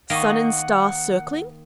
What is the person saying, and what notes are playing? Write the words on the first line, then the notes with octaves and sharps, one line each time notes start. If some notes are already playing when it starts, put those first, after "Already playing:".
Sun-and-star circling.
D#3 A#3 D#5 F5 F#5 C#6